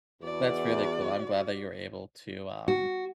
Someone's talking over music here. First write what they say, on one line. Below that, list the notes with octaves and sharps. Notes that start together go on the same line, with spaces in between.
That's really cool, I'm glad that you're able to, um
E2 F#4 D5
F#4